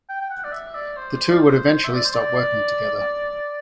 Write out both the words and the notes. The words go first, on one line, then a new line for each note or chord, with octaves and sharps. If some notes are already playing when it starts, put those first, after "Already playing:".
The two would eventually stop working together.
G5
G5
F#5
D5
E5
D5
C5
D5
C5
E5
D5
C5
D5